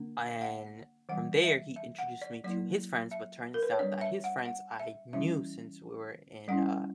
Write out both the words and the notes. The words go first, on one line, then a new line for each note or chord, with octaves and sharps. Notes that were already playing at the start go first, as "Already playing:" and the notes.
and from there, he introduced me to his friends, but turns out that his friends I knew since we were in, uh,
Already playing: D3 A#3 D4
F#5
E3 G3 B3 F#5
E5
E5
F#5
D5
F#3 A#3 E4 D5
E5
A#4
B4
C#5
G3 B3 D4 D5
E5
F#5
F#5
E5
E3 G3 C#4 E4 E5
G3 C#4 E4 F#5